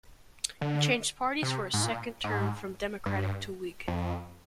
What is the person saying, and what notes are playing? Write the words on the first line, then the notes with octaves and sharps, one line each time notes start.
He changed parties for his second term from Democratic to Whig.
D3
C3
G#2
A#2
G#2
G2
F2